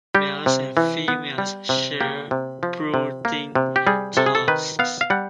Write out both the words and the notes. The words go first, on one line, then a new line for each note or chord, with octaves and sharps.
Males and females share brooding tasks.
G3 G4
C3
E3
B3
G3
C3
A#3 G4
C3
F3
C3
A#3
C3
G4
G3 G#4
C3 A4
G#4
A4
D#3 B4
B3 F5
F5
G3 F#5